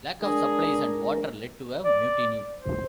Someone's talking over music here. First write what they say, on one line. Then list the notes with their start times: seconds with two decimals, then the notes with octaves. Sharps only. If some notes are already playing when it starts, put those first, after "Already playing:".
Lack of supplies and water led to a mutiny.
0.22 G#3 D4 G#4 A#4
1.84 D5
2.54 C5